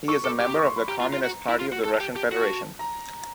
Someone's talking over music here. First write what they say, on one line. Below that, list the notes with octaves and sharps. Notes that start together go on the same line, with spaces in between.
He is a member of the Communist Party of the Russian Federation.
A4 C#6
A4 D6
G4 D6
D6
C#6
C6
B5
G4 A#5
F4
F4
F#4
E4
F4
F#4
A4 A5
G4
G4
F#4
A#5